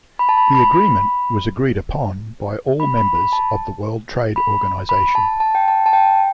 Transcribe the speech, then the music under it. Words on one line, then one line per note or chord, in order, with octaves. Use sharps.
The agreement was agreed upon by all members of the World Trade Organization.
B5
A5
B5
B5
B5
B5
B5
B5
A5
B5
B5
A5
A5
G5
A5
A5
G5